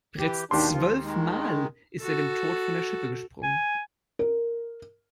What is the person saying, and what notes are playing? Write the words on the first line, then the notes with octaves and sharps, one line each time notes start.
Bereits zwölf Mal ist er dem Tod von der Schippe gesprungen.
E3 G4
D#2 B2 D4 G4 C6
F3 F4
D#3 G#3
F#4 A4
G#5
A#4